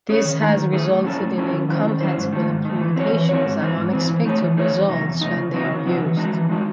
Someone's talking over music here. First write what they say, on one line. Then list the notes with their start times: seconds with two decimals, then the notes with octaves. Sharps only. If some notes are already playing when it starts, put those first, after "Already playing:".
This has resulted in incompatible implementations and unexpected results when they are used.
0.09 C#4 G#4 C#5
0.25 D#3
0.40 A3 D#4 G#4
0.57 D#3
0.73 A3 D#4 G#4
0.89 A2
1.04 F#3 C#4 E4 A4
1.21 A2
1.37 F#3 C#4 E4 A4
1.53 D#3
1.69 F#3 C#4 E4 C5
1.85 D#3
2.01 F#3 C#4 E4 C5
2.17 G#2
2.33 D#3 A3
2.49 G#2
2.65 D#3 A3
2.81 E3
2.96 C4 F#4 C#5
3.13 E3
3.29 C4 F#4 C#5
3.45 G#2
3.61 E3 C4
3.77 G#2
3.93 E3 C4
4.09 E3
4.26 A3 D#4 G#4 C#5
4.41 E3
4.57 A3 D#4 G#4 C#5
4.73 E2
4.89 C3 F#3 A3 D#4
5.06 E2
5.21 C3 F#3 A3 D#4
5.37 C#3
5.53 F#3 C4 D#4 F#4
5.69 C#3
5.86 F#3 C4 D#4 F#4
6.02 E3
6.17 G#3 D#4 F#4
6.33 E3
6.49 G#3 D#4 F#4